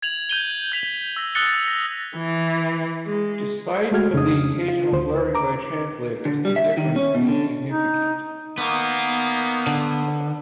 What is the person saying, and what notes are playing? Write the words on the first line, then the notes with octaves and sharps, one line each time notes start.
Despite of the occasional blurring by translators, the difference is significant.
G#6 F7 F#7
G6 D#7 G7
G6 B6 F7
E6 A#6
D#6 E6 F#6 A6 C#7 G7
A#6
E3
G#3
G#3 A3 F#4 F6 G#6
F2 C#3 D4 D#4 D#6
F4
D2 C5
A#5 D6
D3
G3
E5
D#3
C#4
B2
D3
D#4
D#3 A#3 B3
D3